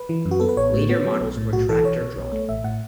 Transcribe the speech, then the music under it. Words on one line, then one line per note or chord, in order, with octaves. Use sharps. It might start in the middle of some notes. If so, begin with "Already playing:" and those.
Later models were tractor-drawn.
Already playing: B4
E3
F#2
F#4
B3 A4
B4
A1 C#5
A2
B3
F#3
B1
A2
B1 F#4
E3 A4
B1 C#5
B2
B1
A3
A1 E5
A2 F#5